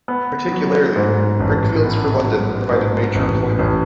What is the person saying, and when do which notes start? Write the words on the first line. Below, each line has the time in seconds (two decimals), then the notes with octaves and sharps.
Particularly, brickfields for London, provided major employment.
0.08 B3
0.52 F#3
0.96 G#2
1.40 A1
1.83 B3
2.28 F#3
2.71 G#2
3.15 A1
3.59 A1